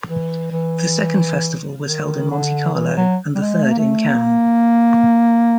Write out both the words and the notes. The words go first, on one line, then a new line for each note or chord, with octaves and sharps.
The second festival was held in Monte Carlo, and the third in Cannes.
E3
E3
D#3
D3
E3
F#3
G3
G#3
A3
A#3
A3
A#3